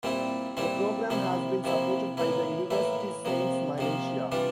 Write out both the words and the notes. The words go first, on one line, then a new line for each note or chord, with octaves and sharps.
The program has been supported by the Universiti Sains Malaysia.
A#2 G3 C4 E4
A#2 G3 C4 E4
C3 F3 A#3 E4
C3 F3 A#3 E4
A2 E3 A#3 E4
A2 E3 A#3 E4
C3 F3 A#3
C3 F3 A#3
E3 G3 D4 F4